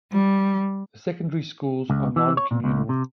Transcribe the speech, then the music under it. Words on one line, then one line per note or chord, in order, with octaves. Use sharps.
The secondary schools are non-communal.
G3
C#2
E3
C#5
A#2
C#2
C3